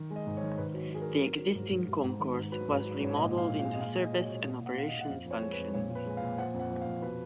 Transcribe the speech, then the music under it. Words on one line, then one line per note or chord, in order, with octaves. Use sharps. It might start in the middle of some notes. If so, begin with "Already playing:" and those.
The existing concourse was remodeled into service and operations functions.
Already playing: D#3
G#3
D#5
G#2
C#5
D#3
G#2 B4
F#3
F#3 G#4
A#4
F#3
D#3
F#3
G#2
G#2
G#2
G#2
D#3
G#2
F#3 B4
G#2
F#3
G#2 C#5
A#2 D#5
A#2
F5
A#2
F5
G#3
D#5
A#2 F5
A#2 D#5
F#3 C#5
D#5
A#2
A#2 D#5
A#2 F#5
A#2 F5
D#5
A#2
F#5
F2 F5
F2
C#5
G#3
B4
F2
A#2 C#5
A#2
B4
G#3
F5
A#2
F3 F#5
F2
F#5
F3
F5
F2
B2 B4